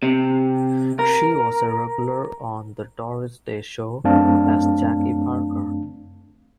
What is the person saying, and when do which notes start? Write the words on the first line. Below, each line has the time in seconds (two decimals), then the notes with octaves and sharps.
She was a regular on "The Doris Day Show" as Jackie Parker.
0.03 C3
0.99 A#4
4.04 F#2 A3 C4 D4 F5 A5